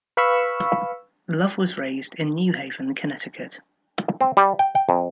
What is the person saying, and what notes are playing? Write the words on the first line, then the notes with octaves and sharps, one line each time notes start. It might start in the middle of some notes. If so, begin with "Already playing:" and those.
Love was raised in New Haven, Connecticut.
B4 F5 B5 C#6 E6
C4
G3
G5
G5
F2